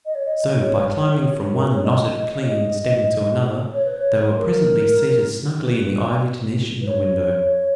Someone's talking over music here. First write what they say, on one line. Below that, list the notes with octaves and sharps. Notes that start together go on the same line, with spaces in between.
So, by climbing from one knotted, clinging stem to another, they were presently seated snugly in the ivied niche in the window.
D#5
C#5
D#5
C#5
A#4
B4
C#5
D#5
C#5
D#5
C#5
B4
C#5
A#4
B4
B4
C#5